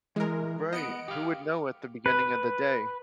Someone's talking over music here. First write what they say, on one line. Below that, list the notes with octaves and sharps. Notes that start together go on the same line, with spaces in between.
Right. Who would know at the beginning of the day?
E3 G#3 A#4
B3 D#5 C#7 D7
G4 F5
B4